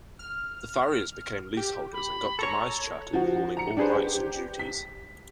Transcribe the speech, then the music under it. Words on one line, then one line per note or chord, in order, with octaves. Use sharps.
The farriers became leaseholders and got demise charters ruling all rights and duties.
F6
G4
B5
A4 C#5 A#5 C#6
F3 F#4
A#5 C#7
D4 G4 G#4 B4 C5
G4
B6